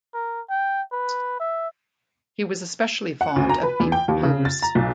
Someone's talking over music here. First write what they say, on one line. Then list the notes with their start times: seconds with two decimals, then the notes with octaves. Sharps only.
He was especially fond of deep blues.
0.14 A#4
0.50 G5
0.92 B4
1.40 E5
3.21 F#5
3.36 D2
3.49 A#5
3.63 B4
3.80 E2
3.92 G5
4.08 D#2
4.23 C#3
4.45 A6
4.62 A#5
4.75 B1